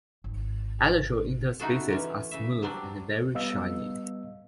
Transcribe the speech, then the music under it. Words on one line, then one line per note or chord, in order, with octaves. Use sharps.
Elytral interspaces are smooth and very shiny.
G#1
C#3 D#4 E4 F#4 G#4 A4
D3 E3 C#4
C#3 E5
F#3 G3 C4 D4
G3 B3 D#5 F5 E6